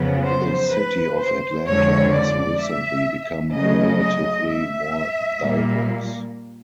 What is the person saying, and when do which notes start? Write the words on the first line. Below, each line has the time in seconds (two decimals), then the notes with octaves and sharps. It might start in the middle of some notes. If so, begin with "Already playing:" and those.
The city of Atlanta has recently become relatively more diverse.
Already playing: F2 C#3 F#3 B3
0.24 C5
0.70 B4
1.17 C5
1.65 F2 D3 F3 G#3 C#5
2.12 D5
2.59 E5
3.53 C#3 F#3 A3 D#5
4.00 D#5
4.48 E5
5.42 A#2 G3 A#3